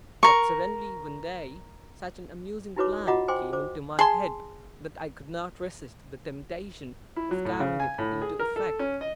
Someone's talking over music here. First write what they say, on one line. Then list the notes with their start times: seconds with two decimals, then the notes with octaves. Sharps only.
But suddenly one day such an amusing plan came into my head, that I could not resist the temptation of carrying it into effect.
0.23 A#4 C#6
2.76 D#4 E4 F#4 B4 C#5 D6
3.07 F4 F#4 D#5 F#5 A#5 D6
3.28 C5 G5 G#5 C6 D6
3.53 C5 D6
3.99 G#4 A5 C6
7.16 E4
7.31 F#3
7.45 A2
7.60 C#3
7.80 G#5
7.98 A2
8.22 G#4
8.39 A#4
8.56 A4
8.79 C#4
9.01 D#5